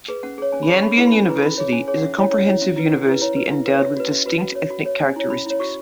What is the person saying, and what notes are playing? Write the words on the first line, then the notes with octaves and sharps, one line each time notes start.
Yanbian University is a comprehensive university endowed with distinct ethnic characteristics.
G#4 B4
C#4 F#5
G#4 C#5
C#4 G#5
B5
G#4 C#5 C#6
C#4 B5
E4 G#4 B4
B5
C#4 G#5
E4 G#4 B4
C#4 B5
G#4 C#5
C#4 G#5
G#4 C#5
F#5
C#4 E5
E4 C#5
C#4 C#5
F#5
E4 C#5 E5
C#4 E5
E4 B4
C#4 F#5
E4 B4
E4 C#5
B4
E4 E5
B4
C#5
C#4 E5
F#4 B4
C#4 E5
F#4 B4
F#4
C#5
F#4
C#5
C#4 G#5
E4 C#5
C#4 B5
E4 C#5
F#4 C#6